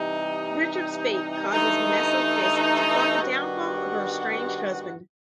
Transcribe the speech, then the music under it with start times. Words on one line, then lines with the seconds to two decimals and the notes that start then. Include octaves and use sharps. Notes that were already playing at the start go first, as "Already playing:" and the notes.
Richard's fate causes Vanessa Fisk to plot the downfall of her estranged husband.
Already playing: C3 E3 G3 D#4
1.50 G2 E3 A3 D#4
3.21 G2 D#3 G3 B3 F#4